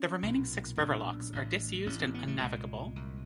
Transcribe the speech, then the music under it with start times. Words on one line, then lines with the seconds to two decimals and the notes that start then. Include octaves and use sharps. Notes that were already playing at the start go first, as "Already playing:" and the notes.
The remaining six river locks are disused and unnavigable.
Already playing: C#4
0.23 B1 A#2
0.77 B1 A#2 D4
1.33 A1 A2
1.86 A1 A2 C#4
2.00 C4
2.14 B3
2.27 A3
2.41 C2 A#2 G#3
2.96 C2 A#2